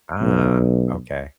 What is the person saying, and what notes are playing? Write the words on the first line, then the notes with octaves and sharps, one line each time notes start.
Ah, okay,
B1